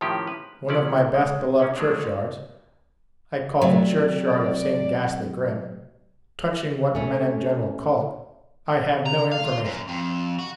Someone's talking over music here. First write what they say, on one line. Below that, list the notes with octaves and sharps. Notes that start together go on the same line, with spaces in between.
One of my best beloved churchyards, I call the churchyard of Saint Ghastly Grim; touching what men in general call it, I have no information.
A2 D#3 F3 A#3 C#4 G4
B4
F3 A3 C#4 E4 D5
G#3
D#3 A#3 C#4
F#3 G#3 A3 D4
C3 F#3 A3 D5
A3 C#4
A#5
F5
F4
F#2
F2
F#4